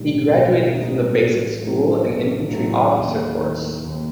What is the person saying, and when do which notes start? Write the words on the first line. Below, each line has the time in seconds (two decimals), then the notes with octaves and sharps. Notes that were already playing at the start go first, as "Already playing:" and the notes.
He graduated from the Basic School and Infantry Officer Course.
Already playing: B1 A2 G3 D#4
0.29 B1
0.74 A2 G3 D#4
1.18 A1
1.62 A2 F#3 A3 E4
2.07 A1
2.51 A2 F#3 A3 E4
2.95 D#2
3.39 D#3 A3
3.84 D#2